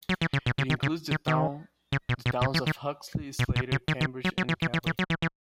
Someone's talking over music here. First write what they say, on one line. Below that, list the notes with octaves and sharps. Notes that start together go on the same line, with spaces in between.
It includes the towns of Huxley, Slater, Cambridge and Kelley.
F#3
E3
C#3
B2
C#3
D#3
C#3
D#3
D#3
C#3
B2
B2
B2
E3
D#3
B2
B2
C#3
D#3
D#3
F#3
F#3
E3
E3
E3
E3
F#3
E3
E3